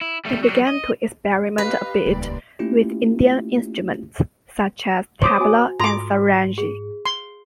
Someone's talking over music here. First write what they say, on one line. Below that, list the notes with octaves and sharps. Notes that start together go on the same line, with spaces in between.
They began to experiment a bit with Indian instruments, such as tabla and sarangi.
E4
G3 A3
F#3 G3
D#5
G4 B4 D#5 F5
D#1 C#2 A#2 G3 D5
A3 A#3 C#4 E4 F4 G4
C5 C#5 D6 D#6
F#4 G#5
G#2 F4 A4 A#5 C6 D6
G#4
C6